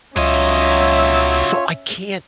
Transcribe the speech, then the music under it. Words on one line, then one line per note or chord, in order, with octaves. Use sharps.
so I can't
C#2 F#3 C#4 F4 C#5 D#5 E5